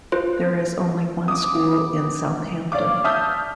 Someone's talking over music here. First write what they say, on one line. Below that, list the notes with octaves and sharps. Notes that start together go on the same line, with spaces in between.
There is only one school in South Hampton.
F4 B4 C5
D6 D#6
C#5 D5 F5 D6
E5 A5 D#6 F6 G6